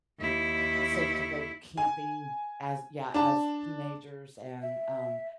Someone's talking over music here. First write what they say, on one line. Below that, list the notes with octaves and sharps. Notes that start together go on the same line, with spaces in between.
safe to go camping as Yeah, as teenagers and, um,
D#2 E4
G#5
D4 A5
E5